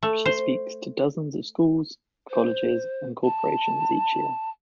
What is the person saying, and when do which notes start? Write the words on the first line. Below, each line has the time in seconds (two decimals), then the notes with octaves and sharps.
She speaks to dozens of schools, colleges and corporations each year.
0.03 A3
0.25 C5
2.30 C5
3.24 A5